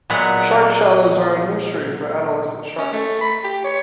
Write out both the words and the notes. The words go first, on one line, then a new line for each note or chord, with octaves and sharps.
Shark Shallows a nursery for adolescent sharks.
A#2 F#3 G#3 B3 F#5 A#5
C#4
A3
B5
G4
C#5